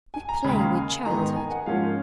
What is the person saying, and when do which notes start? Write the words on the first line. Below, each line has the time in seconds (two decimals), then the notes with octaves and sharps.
We play with childhood.
0.14 G#5
0.29 A#5
0.44 D#2 C#3 G#3 B5
0.59 F5
0.75 G#5
1.05 G#2 D#3 G#3 B3 A#5
1.36 G#5
1.51 F#5
1.66 G#2 F3 A#3 C#4 F5